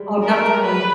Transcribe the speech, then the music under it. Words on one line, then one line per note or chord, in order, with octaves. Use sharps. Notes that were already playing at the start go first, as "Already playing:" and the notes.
Oh, definitely.
Already playing: G3 G#3
A#4
B4